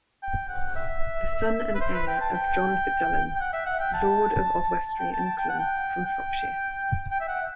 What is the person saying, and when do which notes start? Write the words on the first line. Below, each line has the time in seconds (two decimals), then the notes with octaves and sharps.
The son and heir of John Fitzalan, Lord of Oswestry and Clun, from Shropshire.
0.23 G5
0.49 F#5
0.76 E5
1.75 B4
1.81 C5
1.94 B4
2.07 G5
2.21 A5
2.34 G5
3.36 G5
3.40 F#5
3.53 E5
3.66 F#5
3.80 G5
3.94 A5
4.99 G5
5.13 A5
5.26 A5
5.38 G5
5.49 F#5
5.59 G5
6.05 G5
7.11 G5
7.21 E5
7.28 F#5